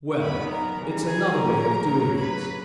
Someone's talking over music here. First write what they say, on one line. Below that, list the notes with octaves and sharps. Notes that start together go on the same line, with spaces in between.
"Well ... it's another way of doing it."
D#3 F#3 B3 B4 B5
A#4 A#5
C#3 E3 G3
G#4 G#5
C#3 F3 A#3 A#4 A#5
C#3 F#3 A#3
B4 B5